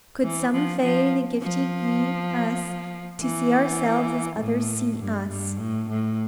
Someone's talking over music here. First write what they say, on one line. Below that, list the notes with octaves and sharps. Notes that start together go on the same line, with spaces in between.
'Could some fay the giftie gie us, To see ourselves as others see us.'
E3
F3
F3
F3
E3
A2
G2
G2
A2
A2